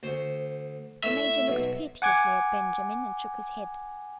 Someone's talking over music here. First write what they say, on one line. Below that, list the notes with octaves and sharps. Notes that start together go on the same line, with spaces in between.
The Major looked piteously at Benjamin, and shook his head.
D2 C5
A2 E5
B1 B2
F#5 G#5 D6 G#6